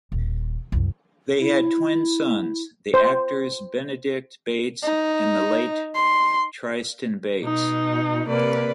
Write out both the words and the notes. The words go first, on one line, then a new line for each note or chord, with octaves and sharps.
They had twin sons - the actors Benedick Bates and the late Tristan Bates.
D#1
C2 F#2
E4
C5
D#4
C6
B2 D#4
C3 A#3 B4 D5